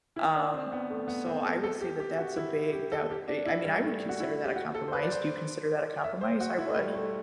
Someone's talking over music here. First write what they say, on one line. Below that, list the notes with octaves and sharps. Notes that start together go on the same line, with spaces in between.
Um, so I would say that, that's a big that be I mean, I would consider that a compromise, do you consider that a compromise? I would.
E4
D4
C4
B3
A3
B3
C4
A4
A4
G4
G4
F#4
E4
G4
A4
G4
D4
E4
G3
A3
F#4
E4
G4
F#4
A4
C5
B4
D5
C5
E5
C5
F#4
E4
A3
G3
A3